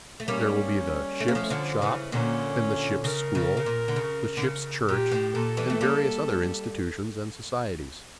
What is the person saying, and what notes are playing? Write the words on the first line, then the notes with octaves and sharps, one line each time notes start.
There will be the "Ship's Shop" and the "Ship's School," the "Ship's Church" and various other institutions and societies.
A3
G3 A#3 C#4
A3
A#3
F3 A3
D3 F3
C#3 E3
A#2 D3 C#4
C#3 A#4
C#3
C#3
A#2
D3
C#3
D3
C#3
A#2 G4
A2
A#2 A4
E3 G3
A3
G3 A#3